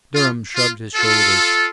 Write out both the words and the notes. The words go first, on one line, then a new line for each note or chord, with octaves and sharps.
Durham shrugged his shoulders.
F4
F4
F4 A4